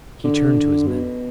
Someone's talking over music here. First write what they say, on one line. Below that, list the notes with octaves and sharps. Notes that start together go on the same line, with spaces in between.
He turned to his men.
D3
B2